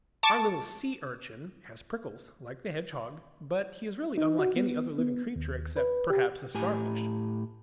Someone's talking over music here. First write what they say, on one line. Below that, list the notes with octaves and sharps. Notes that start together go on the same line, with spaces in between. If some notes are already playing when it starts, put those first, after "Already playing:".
Our little Sea-urchin has prickles, like the hedgehog, but he is really unlike any other living creature, except, perhaps, the Starfish.
A5 C#6 D6
D#4
F#4
B3
B3
D#2
B4
G4
A2 G4 G#5